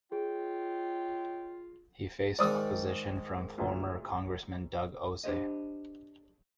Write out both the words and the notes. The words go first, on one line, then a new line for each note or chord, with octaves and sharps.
He faced opposition from former Congressman Doug Ose.
F4 G#4 C#5 D#5 G5
G#2 D#3 D5 D#6 E6
D2 A#2
D4 G4 C5 D#5